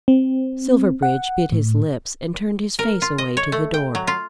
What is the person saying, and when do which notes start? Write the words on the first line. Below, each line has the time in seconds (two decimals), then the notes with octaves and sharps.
Silverbridge bit his lips and turned his face away to the door.
0.08 C4
1.03 F#5
1.52 A2
2.79 A#4
3.02 F4
3.18 D#5
3.37 C#5
3.52 A3
3.74 G5
3.95 F#3
4.07 F4